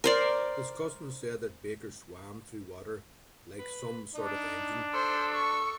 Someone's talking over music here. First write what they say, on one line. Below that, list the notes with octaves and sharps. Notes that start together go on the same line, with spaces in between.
His cousin said that Baker swam through water "like some sort of engine".
A#4 C5 D5
B4
D4 D#4
A4 C5
C#6